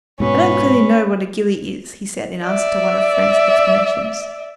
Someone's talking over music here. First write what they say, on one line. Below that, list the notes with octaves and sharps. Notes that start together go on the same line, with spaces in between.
"I don't clearly know what a gillie is," he said, in answer to one of Frank's explanations.
G#2 B2 C#4 B4
D5 E5